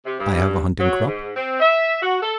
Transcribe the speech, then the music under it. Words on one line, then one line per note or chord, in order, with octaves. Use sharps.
"I have a hunting-crop."
C3
G2
F#3
G#2
C4
E5
F#4
A4